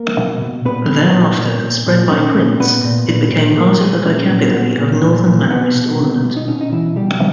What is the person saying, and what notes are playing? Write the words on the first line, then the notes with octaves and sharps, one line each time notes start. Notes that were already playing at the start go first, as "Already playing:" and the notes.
Thereafter, spread by prints, it became part of the vocabulary of Northern Mannerist ornament.
Already playing: A#3 A#4
B2
B2
A#2 B3 B4
A#2
A#2
A#2
A#2
A#2
A#2 C#4 C#5
A#2
A#2 B3 B4
A#2
A#2
A#2
A#2 A#3 A#4
A#2 G#3 G#4
A#2 C#4
A#2
A#2 B3
A#2
A#2
A#2
B2 B3
B2
B2
B2
D#4
B2 C#4
D#4
B2 E3 E4
B2 G3 G4